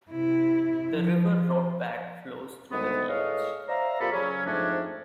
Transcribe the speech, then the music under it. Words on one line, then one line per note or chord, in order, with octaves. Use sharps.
The river Rotbach flows through the village.
C3 E4
F3
D2 D#3 G3 G#3 B3
A2 G#3 B4 C#5 D#5 F5
C5 D5 E5 F5 A#5
F2 A#3 F4 G4 A4 B5
C#3 F#3 C#4
F2 G#2 F3 A3 C#4 D4